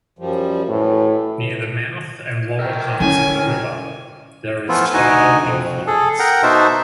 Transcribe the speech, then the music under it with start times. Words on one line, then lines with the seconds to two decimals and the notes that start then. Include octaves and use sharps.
Near the mouth and lower parts of the river, there is tidal influence.
0.19 F#2 F3 G3
0.69 A2 E3
2.60 A4 A#4 G5
3.00 D3 C#4 E4 G#5
4.69 E3 F3 A3 B3 E4 F4
4.94 D2 D#4 F#4 D#5 G#5
5.42 F2
5.87 G#4 A4
6.19 A#4 F#5 G5 A#5
6.43 B2 D#4 F#4 C5 E5 A5